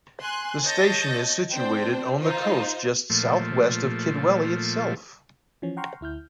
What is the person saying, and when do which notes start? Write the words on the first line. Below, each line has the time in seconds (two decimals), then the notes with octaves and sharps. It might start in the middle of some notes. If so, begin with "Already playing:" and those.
The station is situated on the coast just southwest of Kidwelly itself.
0.21 G#5 C6 F#6
0.65 C#5 D#5 A5 G6 A6 A#6
1.52 C4 D4 C5 G5
2.20 D#4 F4 C5
3.10 A#2 F3 A3
5.62 E3 F3 C#4
5.77 F#5 G5 A#5 C6 C#6 F6
6.01 D2 E4 F6 G6